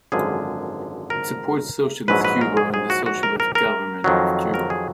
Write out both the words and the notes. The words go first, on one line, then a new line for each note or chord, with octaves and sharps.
It supports socialist Cuba and the socialist government of Cuba.
G#1 F#2 D3 F3 G#4
A#4
A#1 G#2 F#3 B4
B4
A#4
G#4
G#4
F#4
F#4
A#4
A#4
A#4
F2 D#3 F#3
A#4
G#4